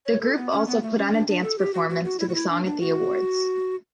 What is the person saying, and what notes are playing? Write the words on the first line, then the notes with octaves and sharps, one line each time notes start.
The group also put on a dance performance to the song at the awards.
C#5
A4
B3
C#4
B3
A3
C#4
D4
D4
A4
G4
F#4
F#4
F#4
E4
F#4
E4
D4
D4
F#4